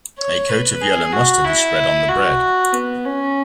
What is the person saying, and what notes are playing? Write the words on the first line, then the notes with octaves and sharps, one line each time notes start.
A coat of yellow mustard is spread on the bread.
C#5
B4
G#4
F#4
E4
F#4
B3
C#4